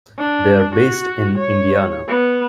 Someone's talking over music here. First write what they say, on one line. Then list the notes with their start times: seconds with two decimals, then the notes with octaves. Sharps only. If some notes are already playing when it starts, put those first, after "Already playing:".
They are based in Indiana.
0.18 D4
0.75 F#4
1.38 C#5
2.07 B3